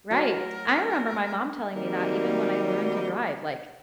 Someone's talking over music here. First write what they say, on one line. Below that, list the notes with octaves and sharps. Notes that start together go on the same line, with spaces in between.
Right. I remember my mom telling me that even when I learned to drive, like,
F#3 A3 F#4 A#4 C#5
D#3 F#3 G3 A#3 C4 D#4